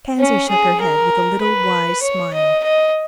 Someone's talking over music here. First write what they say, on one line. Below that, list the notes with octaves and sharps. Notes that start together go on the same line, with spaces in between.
Pansy shook her head with a little wise smile.
C#4
G#4
A#4
B4
C#5
D#5
D#5